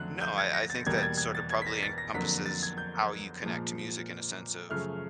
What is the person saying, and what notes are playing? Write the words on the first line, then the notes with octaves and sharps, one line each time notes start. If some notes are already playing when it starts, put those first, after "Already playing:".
no, I I think that sorta probably encompasses how you connect to music in a sense of
Already playing: F2 D3 F#3 A3 F#6
G6
G#6
A#6
A6
E2 B2 G3 A#3 G#6
A6
G#6
G#6
A6
G#6
B6
A#6
A6
A#6
F2 D3 F#3 A#3 B6
A6
G#6
G6
A#2 F3 G#3
F#2 C#3 F3 A3 F6